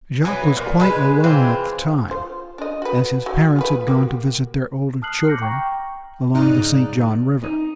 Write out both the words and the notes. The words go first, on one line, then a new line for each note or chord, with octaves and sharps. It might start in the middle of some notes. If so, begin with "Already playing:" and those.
Jacques was quite alone at the time, as his parents had gone to visit their older children along the St. John River.
E3 F#3 B3
A#2
G#3 B4
E3 G#3 C4 F4
F4 C5
D4 D#5
F#4 B4
F#3
F4 G#4 B4
A#3 F#4 G4
A5 D#6 F6 F#6 C7 F#7
D6 G6 A#6 C#7
G5 A#5 C#6
G#2 C#3 D#4 D5 F6 F#6
D#4